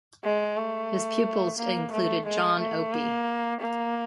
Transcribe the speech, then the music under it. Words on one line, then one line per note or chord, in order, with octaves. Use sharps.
His pupils included John Opie.
G#3
A3
A#3
A3
G#3
A3
A#3
A#3